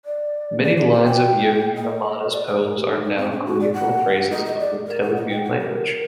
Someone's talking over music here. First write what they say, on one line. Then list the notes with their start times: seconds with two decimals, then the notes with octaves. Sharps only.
Many lines of yogi Vemana's poems are now colloquial phrases of the Telugu language.
0.05 D5
0.62 D5
0.77 D5
0.91 C5
1.05 G5
1.76 D#5
2.33 D5
2.47 C5
2.61 A#4
2.75 G4
2.90 D#4
3.03 D#4
3.17 C4
3.32 D4
3.45 F#4
3.60 D5
3.74 F#5
4.31 D#5
4.45 D#5
4.59 D5
4.87 A#4
5.02 F#5
5.16 D#5
5.29 G5
5.44 F#5
5.59 A#4